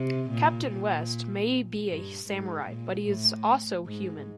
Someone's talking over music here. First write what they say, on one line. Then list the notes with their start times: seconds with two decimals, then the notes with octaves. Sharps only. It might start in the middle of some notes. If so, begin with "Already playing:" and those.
Captain West may be a Samurai, but he is also human.
Already playing: C3
0.30 A#2
0.69 A#2
1.88 G2
2.28 G#2
2.67 A#2
3.07 A2
3.86 G#2